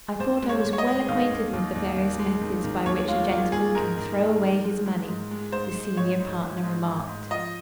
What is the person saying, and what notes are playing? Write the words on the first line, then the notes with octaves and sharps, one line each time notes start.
"I thought I was well acquainted with the various methods by which a gentleman can throw away his money," the senior partner remarked.
D#2 C5
G#3
C#5
D#2
C#5
D#5
G#3
D#3 F5
D#2
D#2
D#2
D#3
G#3
D#3
D#3
D#2 C#5
G#3 F4
D#3 F4
D#2 G#4
G#2 A#4
D#3
G#3
D#3
G#3
G#3
G#2
G#3
G#2 C5
G#2
G#2 C#5
G#2
G#2
G#2
G#2
G#2
F3 D#5